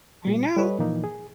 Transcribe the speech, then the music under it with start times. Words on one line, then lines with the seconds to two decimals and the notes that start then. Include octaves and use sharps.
I know.
0.25 A#2 G3
0.57 G3 A4 B4 C#5 D#5
0.78 A#2 E3 F3 A#3 D#4
1.04 G#4